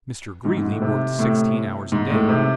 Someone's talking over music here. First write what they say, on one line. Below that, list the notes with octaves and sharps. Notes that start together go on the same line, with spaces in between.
Mr. Greeley worked sixteen hours a day.
G#2
G#2
A2
C3
A2
G#2
A2
C3